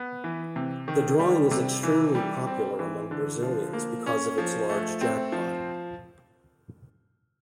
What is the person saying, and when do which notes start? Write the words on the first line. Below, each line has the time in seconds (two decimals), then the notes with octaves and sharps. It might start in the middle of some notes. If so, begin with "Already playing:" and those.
The drawing is extremely popular among Brazilians because of its large jackpot.
Already playing: B3
0.24 E3
0.56 C3
0.88 D#3
1.19 G3
1.51 C3
1.83 E3
2.15 G3
2.47 C4
2.79 E3
3.11 D3
3.43 F3
3.73 A#3
4.06 C#4
4.38 F3
4.69 A3
5.01 C4
5.32 F3